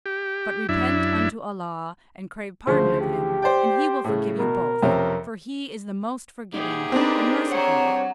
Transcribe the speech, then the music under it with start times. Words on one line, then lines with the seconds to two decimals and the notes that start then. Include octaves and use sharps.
But repent unto Allah and crave pardon of Him, and He will forgive you both, for He is the Most Forgiving, the Merciful.
0.06 G4
0.69 F#2 D4 E4 E5
2.67 D2 C#3 F3 C5
3.01 G4
3.42 C5 D5 G5
4.04 A2 C#3
4.39 B2 A#4
4.83 F2 C3 C#4
6.54 A#2 D#4 G4 G#4
6.92 C4 D4 D#4 A#4 B4
7.51 C#5 F#5 A#5